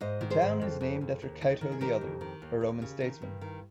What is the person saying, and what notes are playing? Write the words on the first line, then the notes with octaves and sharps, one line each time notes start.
The town is named after Cato the Elder, a Roman statesman.
G#2 C5 D#5
D#3
G#4 C5
G#2
F2
F2
F2
D#2
D#3
D#3
G#4
D#3 G4 A#4
F2
D#3
D#2
D#2
C#3
D#3
G2
D#3